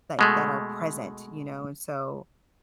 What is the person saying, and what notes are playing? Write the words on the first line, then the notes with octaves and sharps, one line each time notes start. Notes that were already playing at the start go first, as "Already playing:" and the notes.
like, that are present, you know, and so,
B2 G#3 A3